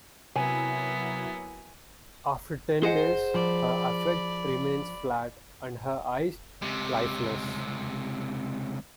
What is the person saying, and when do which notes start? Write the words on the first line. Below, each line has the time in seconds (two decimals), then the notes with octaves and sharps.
After ten days, her affect remains flat, and her eyes lifeless.
0.36 C3 F#3 A#3 B3 E4 G#5
2.83 G#4 C5 D#5 F#5
3.34 F3 D5 B5
6.62 C#2 C3